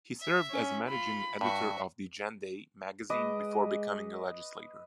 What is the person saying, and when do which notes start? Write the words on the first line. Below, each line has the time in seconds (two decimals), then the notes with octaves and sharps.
He served as managing editor of the "Gendai" magazine before becoming a legislator.
0.20 E5
0.50 C#4
0.88 F4 B5
1.41 G2 F#4 E5
3.10 G#3 B4 D#5 D6